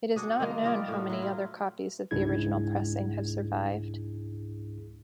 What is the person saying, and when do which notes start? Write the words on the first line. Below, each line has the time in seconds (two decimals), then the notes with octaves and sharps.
It is not known how many other copies of the original pressing have survived.
0.16 D4 F#4 G#4
0.40 D#3 G#3 A#3
0.62 G3 D#4 F4 D5
0.88 A2 F#4
1.09 F#3 E4
1.22 F4
2.11 C#2 G#2 D4 E4 G#4 G#6